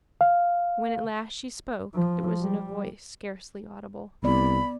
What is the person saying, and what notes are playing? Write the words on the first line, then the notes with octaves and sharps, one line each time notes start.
When at last she spoke it was in a voice scarcely audible.
F5
F3
G3
C2 B3 D5 B5